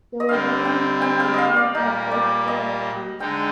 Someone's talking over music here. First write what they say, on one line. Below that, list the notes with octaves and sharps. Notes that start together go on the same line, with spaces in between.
They were pleased at the sun's approach towards them.
D#5
D3 G3 C4 G4 F5
G5
G5
F5
D#5 F5
D5
A#2 G3 A#3 D#4
D5
D#5
D3 G#3 D#4 G5